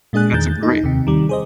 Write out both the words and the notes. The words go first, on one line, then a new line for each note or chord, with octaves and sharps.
That's a grea
A#2 G#3 D4 G#4 F#6
E2 D#3 G6 A6
D#4
D#2 C3
D#3 G3
G#4 C5 D#5